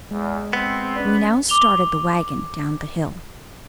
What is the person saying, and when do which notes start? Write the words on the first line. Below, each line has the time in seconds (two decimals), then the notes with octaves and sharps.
We now started the wagon down the hill.
0.11 E2 G#3
0.53 B3 C4
0.96 C#4 B4 D5
1.49 D6 F7 G7